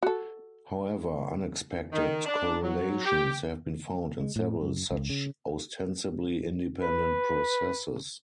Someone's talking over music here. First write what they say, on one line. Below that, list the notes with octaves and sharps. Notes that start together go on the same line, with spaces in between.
However, unexpected correlations have been found in several such ostensibly independent processes.
F#4 A4
D#3
D4
F#3
G4
G#3
A2
F#2
C#2
C#3
B4